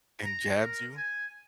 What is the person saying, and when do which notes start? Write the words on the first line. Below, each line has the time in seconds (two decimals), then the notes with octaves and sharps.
And jabs you.
0.23 A#5
0.54 A#4
0.97 G#5